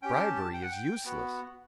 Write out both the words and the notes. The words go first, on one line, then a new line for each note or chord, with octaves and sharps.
Bribery is useless!
C#4 G4 G5
G5
A5
A5
G5
F#5
G5
B3 F#4